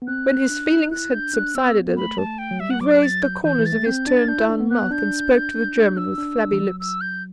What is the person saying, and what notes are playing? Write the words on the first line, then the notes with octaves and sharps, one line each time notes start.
When his feelings had subsided a little he raised the corners of his turned-down mouth, and spoke to the German with flabby lips.
B3
C4 F#6
D4
E4 F#6
D4 G6
D4 F#6
C4 E6
B3
B3
A3 B5
A3 A5
G5
F#3
G3 E5
F#5
F#3 D6
F#6
A6
G6
E3 G6
E3
A6
A3
C4 G6
D4 A6
D4 G6
E4
D4
B3
B3 F#6
D4 G6
D4
D4
D4 E6
D4
D4
E3
F#3
E6
G6